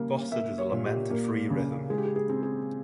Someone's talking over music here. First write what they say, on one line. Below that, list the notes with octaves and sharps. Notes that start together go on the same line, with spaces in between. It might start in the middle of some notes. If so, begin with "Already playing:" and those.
Bocet is a lament in free rhythm.
Already playing: C#3 G3 A#3
A#3 E5
C#5
A#2
G4
A#3
C#3
G#3 G#4
G4
G#4
G#4
C4
G#4